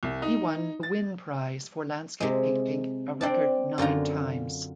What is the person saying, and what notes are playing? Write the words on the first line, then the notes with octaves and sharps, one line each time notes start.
He won the Wynne Prize for landscape painting a record nine times.
C2
D#4
A6
C3 G#3
C4 D4 A5
F#2 D3 F4 A#5